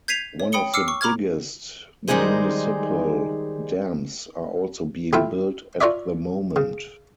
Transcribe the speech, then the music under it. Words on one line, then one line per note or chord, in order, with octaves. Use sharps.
One of the biggest municipal dams are also being built at the moment.
G6 G#6 B6 C7 D#7 F7
C#5
G5 B5 D#6 C#7 G7
D6 E6 F6 C7 C#7
C#6
A#5 B5 D6 F6 G#6
D#3 G3 G#3 D#4 G#4 C5
C3 A3 E4 F4 A4 G5
F4 A#4 C#5 D5 E5
C#3